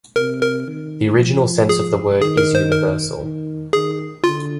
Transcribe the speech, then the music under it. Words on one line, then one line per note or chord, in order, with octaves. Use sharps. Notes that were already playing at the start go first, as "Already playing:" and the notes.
The original sense of the word is 'universal'.
C3 A#4
A#4
D#3
F3
G#4
D#3 G#4
A#4
C5
A#4
D#3
D#3 G#4
D3 F4